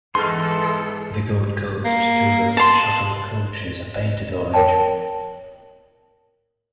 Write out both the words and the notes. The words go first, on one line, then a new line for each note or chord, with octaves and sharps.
The Gold Coast Tourist Shuttle coaches are painted orange.
G#2 E3 B3 D#4 G#4 A4 C6 F6
A#3
A5 C6
A#4 C#5 G5 A5